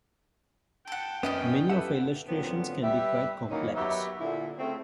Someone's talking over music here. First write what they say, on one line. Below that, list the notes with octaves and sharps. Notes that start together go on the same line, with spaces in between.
Many of her illustrations can be quite complex.
A4 F#5 G5
F#2 B3 C#4 D4 D#5
G4 A4 B4 E5 F#5
A#2 D3 F3 F#3 B3 C4
G3 G4 B4 E5
D#3 E3 F#3 A#3 C#4 D#4
F#3 B3 G4 E5
A#2 D3 E4
C#3 A3 C4